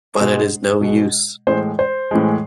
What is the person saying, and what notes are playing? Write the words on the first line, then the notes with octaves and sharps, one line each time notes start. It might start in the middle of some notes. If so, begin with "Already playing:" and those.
But it is no use.
B2 G#3
B2 G#3
A2 E3 G#3 C5
C5
A2 E3 G#3